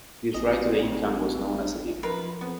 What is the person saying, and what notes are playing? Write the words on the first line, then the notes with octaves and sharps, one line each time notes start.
This right to the income was known as a "living".
D1 A1 D#5
F#2 F3 F4 A#4 B4
F2 B3